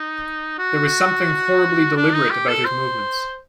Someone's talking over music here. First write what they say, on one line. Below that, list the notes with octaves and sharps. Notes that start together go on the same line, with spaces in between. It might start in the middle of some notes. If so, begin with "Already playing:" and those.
There was something horribly deliberate about his movements.
Already playing: D#4
F#4
D4
D#4
G4
A4
C5